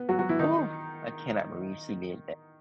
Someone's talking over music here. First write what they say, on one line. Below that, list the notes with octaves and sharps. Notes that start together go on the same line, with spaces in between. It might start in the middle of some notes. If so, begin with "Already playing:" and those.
ooh, I cannot believe she did that.
Already playing: B3
F#3 F#4
F#3 F#4
E3 E4
D#3 D#4